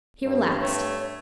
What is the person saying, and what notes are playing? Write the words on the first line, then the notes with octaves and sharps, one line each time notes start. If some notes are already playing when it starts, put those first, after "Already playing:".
He relaxed.
G2
A3 C#5